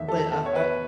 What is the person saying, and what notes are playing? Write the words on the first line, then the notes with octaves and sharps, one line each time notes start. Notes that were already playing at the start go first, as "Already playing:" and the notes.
But I've I
Already playing: E2 D#3 A3 D#4 E5
A4
A4
A4
C#5
B4